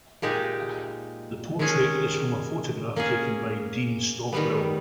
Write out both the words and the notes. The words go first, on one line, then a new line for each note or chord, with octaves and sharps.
The portrait is from a photograph taken by Dean Stockwell.
A#2 G#3 D#4 G4
D#3 G#3 C#4 G#4
A#3 C#4 G#4
D#3 G3 B3